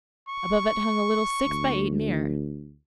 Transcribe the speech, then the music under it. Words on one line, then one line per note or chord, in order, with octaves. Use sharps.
Above it hung a little six-by-eight mirror.
C#6
D2